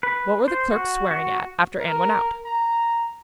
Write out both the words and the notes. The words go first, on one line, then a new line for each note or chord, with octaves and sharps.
What were the clerks swearing at after Ann went out?
B4
C5
F#4
F#4
A#4
A#5